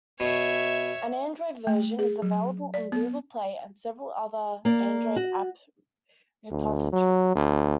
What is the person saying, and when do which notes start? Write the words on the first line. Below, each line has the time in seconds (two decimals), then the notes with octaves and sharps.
An Android version is available on Google Play and several other Android app repositories.
0.20 B2 C#5 E5
1.67 A3
1.99 G#4
2.22 F#3
2.74 D5
2.92 B3
4.65 A#3 D5
5.16 F#4
6.51 D2
6.93 F#3
7.35 D2